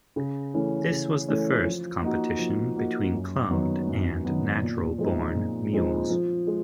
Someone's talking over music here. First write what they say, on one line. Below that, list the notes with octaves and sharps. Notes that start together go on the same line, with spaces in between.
This was the first competition between cloned and natural-born mules.
C#3
E3 A3 C#4 E4
C#3
E3 A3 C#4 E4
F3
A#3 D#4 F#4
F3
A#3 D#4 F#4
F#2
D#3 F#3 B3
F#2
D#3 F#3 B3
A#2
F3 G#3 C4 D#4
A#2
F3 G#3 C4 D#4
F3
G#3